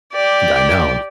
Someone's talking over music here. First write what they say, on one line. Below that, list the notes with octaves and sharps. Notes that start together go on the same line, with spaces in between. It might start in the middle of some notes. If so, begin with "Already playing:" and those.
D I know.
G4 D5